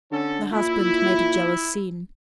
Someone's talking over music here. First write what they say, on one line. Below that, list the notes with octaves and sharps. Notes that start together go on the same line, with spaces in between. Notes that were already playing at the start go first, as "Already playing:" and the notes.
The husband made a jealous scene.
D3 C#4 A4
A#2 E4